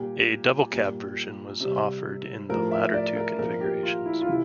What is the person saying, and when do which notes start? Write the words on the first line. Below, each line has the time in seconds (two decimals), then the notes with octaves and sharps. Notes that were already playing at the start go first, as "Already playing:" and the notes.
A double cab version was offered in the latter two configurations.
Already playing: A#2 G3 G4
0.71 A#2 G3
1.61 C3 G3
2.49 A2 F3 A#4
2.71 E5
2.94 D5
3.16 A#4
3.38 A#2 F3 A#4
3.61 G4
3.83 F4
4.06 E4
4.21 F4
4.27 C3 E3 E4